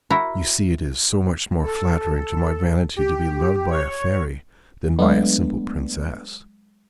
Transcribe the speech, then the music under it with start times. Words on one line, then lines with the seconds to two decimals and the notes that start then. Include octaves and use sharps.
You see it is so much more flattering to my vanity to be loved by a fairy than by a simple princess.
0.10 E4 F#4 A#4 A#5
1.63 A4
2.97 G4
3.71 C#5
4.99 F#3 G#3 A3 B3 D4